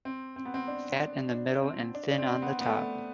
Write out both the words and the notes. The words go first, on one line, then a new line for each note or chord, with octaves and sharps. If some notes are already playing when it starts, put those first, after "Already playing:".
Fat in the middle and thin on the top.
C4
C4
B3
C4
D4
D4
D4
C4
D4
D4
C4
C4
B3
B3
A3